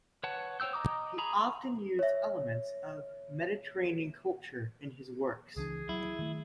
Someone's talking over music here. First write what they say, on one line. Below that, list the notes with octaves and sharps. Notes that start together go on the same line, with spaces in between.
He often used elements of Mediterranean culture in his works.
B4 C#5 F#5 A5
C5 C#5 G5 E6 G6
D#5 A#5 D6 D#6
G#4 A#5 B5
C#5 E5
C#2 E3 D4 G#4
F#3 E4
D#3 A3